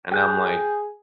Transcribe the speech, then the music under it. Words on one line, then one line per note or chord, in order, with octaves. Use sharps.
And I'm like,
G#4 G5 F#6 G6